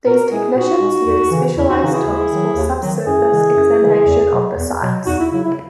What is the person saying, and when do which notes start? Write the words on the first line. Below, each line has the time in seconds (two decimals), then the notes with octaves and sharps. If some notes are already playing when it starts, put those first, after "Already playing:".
These technicians use specialized tools for subsurface examination of the sites.
0.07 A#2 F#4 A#4
0.32 G#3 E4 G#4
0.56 A#2 D#4 F#4
0.81 G#3
1.07 E2
1.31 C#3 E3
1.56 E2 E4
1.69 D#4 F#4
1.81 C#3 E3 D#4 F#4
1.94 E4 G#4
2.07 D#2
2.32 D#3 F#3
2.56 D#2
2.82 D#3 F#3
3.06 F#2 E4 G#4
3.31 C#3 E3 G#3
3.56 F#2
3.82 C#3 E3 G#3
4.07 E2
4.31 B2 F#3
4.57 E2
4.82 B2 F#3
5.06 E2 D#4 F#4
5.19 E4
5.32 C#3 F#3 E4
5.44 E4